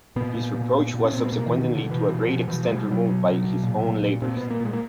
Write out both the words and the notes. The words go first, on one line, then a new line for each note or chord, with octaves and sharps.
This reproach was subsequently to a great extent removed by his own labours.
A#2 B3
A#2
A#2
A#2
A#2
C#4
A#2 C4
B3
B2 A#3
B2 E3
D#3
B2 D3
B2 E3
B2
F3
B2
B2 E3
F3
B2 G#3
G3
B2
F#3
B2
B2
B2
A#2
A#2
A#2
A#2 C4
A#2 B3
A#3
A#2 G#3
A#3